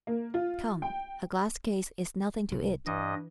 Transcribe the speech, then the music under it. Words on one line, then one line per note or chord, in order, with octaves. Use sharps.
Come, a glass case is nothing to it.
A#3
F4
G5
C2
G2 E3 D#5